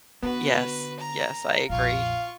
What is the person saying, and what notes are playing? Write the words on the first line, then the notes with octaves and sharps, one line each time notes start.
Yes, yes, I agree,
D3 B3 F#4 B4
A#5
A#1 F2 F4 F5 C#6